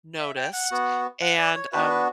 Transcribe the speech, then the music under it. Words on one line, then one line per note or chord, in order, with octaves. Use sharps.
noticed, and, um,
E5
G5
F#5
B3 F#4
F#5
D5
C#5
B3 D4 F#4 B4
B4